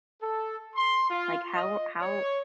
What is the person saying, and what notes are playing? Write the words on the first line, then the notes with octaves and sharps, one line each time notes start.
Like, how how
A4
C6
F4
D#5
C#5